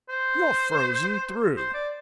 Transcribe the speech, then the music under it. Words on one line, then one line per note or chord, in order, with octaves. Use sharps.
You're frozen through!
C5
C5
D5